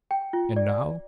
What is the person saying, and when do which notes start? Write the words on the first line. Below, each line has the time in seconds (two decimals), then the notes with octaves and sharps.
"And now?"
0.11 G5
0.33 F4
0.56 D5